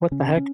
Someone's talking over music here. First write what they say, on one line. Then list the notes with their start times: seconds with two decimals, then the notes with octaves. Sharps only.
What the heck?
0.11 C#3 C#4
0.37 C#4